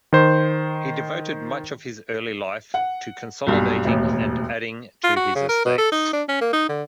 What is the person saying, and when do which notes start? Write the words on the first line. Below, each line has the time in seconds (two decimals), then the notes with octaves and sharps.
He devoted much of his early life to consolidating and adding to his estates.
0.13 D#3 C5
2.74 F#5
3.46 B1 G2 A#2
3.85 E1 A1 D#2
5.04 F4
5.16 F#4
5.35 C#3
5.49 A#4
5.65 B2
5.78 A4
5.92 D#4
6.13 D4
6.29 C#4
6.41 A#3
6.53 D#4
6.69 D3